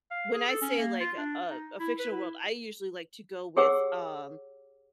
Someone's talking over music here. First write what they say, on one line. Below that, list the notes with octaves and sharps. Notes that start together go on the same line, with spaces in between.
when I say like a a a fictional world, I usually like to go with, um,
F5
G#4
A4
C#4
A#3
F4
D4
D#4
E4
B4
E4
G4 G#4 C#5 F#5 D6 E6